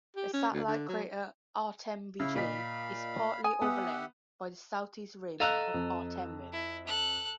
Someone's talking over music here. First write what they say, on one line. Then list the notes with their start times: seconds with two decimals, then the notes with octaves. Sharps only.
The satellite crater Artem'ev G is partly overlain by the southeast rim of Artem'ev.
0.16 G4
0.34 C#4
0.53 D2
0.68 D3
0.88 F#3
2.20 C#3 E4 E5 F5
2.35 A#2 D#5 F5 B5 B6
3.44 G#5 D#6
3.62 B3 G4 E5 F#5
5.40 A4 D#5 F5 A#5 E6 F#6
5.74 F2
6.53 E4
6.87 A4 F#6